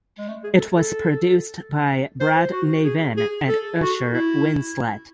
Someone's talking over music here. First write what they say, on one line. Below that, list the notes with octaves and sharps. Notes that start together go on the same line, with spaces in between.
It was produced by Brad Navin and Usher Winslett.
G#3
A3
G#4
A4
A4
C5
F#4
G#4
G#4
A4
F#4
E4